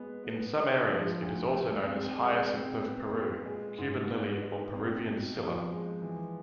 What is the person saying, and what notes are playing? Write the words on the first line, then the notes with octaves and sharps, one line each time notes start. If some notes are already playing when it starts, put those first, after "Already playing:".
In some areas it is also known as hyacinth-of-Peru, Cuban-lily, or Peruvian scilla.
Already playing: G#3 B3
B3
D4
F3
D2
A3
C4
G#3
C4
B3
A#2
G#3
G#2
B3
D#4
C4
B2
F3
G#3
E3